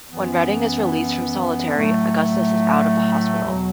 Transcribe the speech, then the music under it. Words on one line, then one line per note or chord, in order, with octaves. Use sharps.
When Redding is released from solitary, Augustus is out of the hospital.
F#2 E3 B3
A2 F#3 A3
E2 B2 F#3